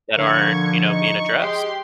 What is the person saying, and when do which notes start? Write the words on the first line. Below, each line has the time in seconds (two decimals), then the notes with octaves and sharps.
that aren't, you know, being addressed.
0.16 D3 F3 A#3 C#6 G#6
0.88 D#4 C#6
1.38 G#3 G4 G#4 C6